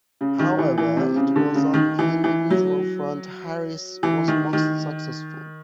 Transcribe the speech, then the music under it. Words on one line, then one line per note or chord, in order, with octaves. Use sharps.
However, it was on the individual front Harris was most successful.
C#3
D#3
E3
E3
C3
C#3
D3
C#3
D#3
E3
E3
F#3
E3
D#3
D#3